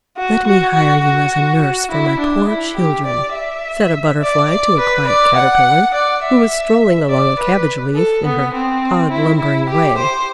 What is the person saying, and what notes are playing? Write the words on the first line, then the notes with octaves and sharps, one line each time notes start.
"Let me hire you as a nurse for my poor children," said a Butterfly to a quiet Caterpillar, who was strolling along a cabbage-leaf in her odd lumbering way.
F#4
F#4
F#4
F#4
F#4
E4
D4
E4
G4
D5
E5
D5
D5
B4
D5
F#5
D5
E5
D5
B4
A4
B3
C4
E4
E4
G4
C5